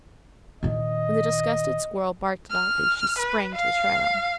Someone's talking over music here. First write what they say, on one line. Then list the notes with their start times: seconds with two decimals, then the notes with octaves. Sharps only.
When the disgusted squirrel barked loudly, she sprang to the trail.
0.63 A#2 D#3 D#5
2.50 F6
3.18 B4
3.55 F5